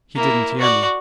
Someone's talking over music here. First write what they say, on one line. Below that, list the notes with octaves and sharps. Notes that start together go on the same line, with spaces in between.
He didn't hear me.
A#3 E4
F#4 D5